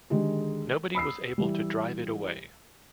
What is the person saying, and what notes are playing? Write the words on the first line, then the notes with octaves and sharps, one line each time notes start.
Nobody was able to drive it away.
D3 D#3 G#3 G4 G#4
B5 D#6 E6 C7
E3 G3